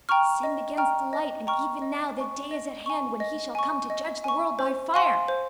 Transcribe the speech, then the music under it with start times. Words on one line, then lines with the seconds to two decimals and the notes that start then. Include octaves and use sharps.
Sinned against the light and even now that day is at hand when he shall come to judge the world by fire.
0.09 G5 A#5 C#6 F6
0.43 D#5
0.77 G5 A#5 C#6 F6
1.13 D#5
1.47 G5 A#5 C#6 F6
1.82 D#5
2.17 G#5 C#6
2.51 D#5
2.86 G#5 C#6
3.20 D#5
3.55 G#5 C#6
3.90 D#5
4.24 G#5 C#6
4.59 C5
4.94 F5 G#5 C6
5.28 C5